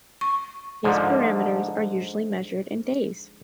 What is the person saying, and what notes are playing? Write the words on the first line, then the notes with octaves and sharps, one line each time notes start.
These parameters are usually measured in days.
C#6
G#2 D3 F3